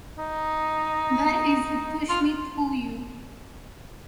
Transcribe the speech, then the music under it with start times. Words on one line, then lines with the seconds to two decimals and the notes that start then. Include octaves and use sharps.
That is the pushmi-pullyu.
0.18 D#4
2.09 F4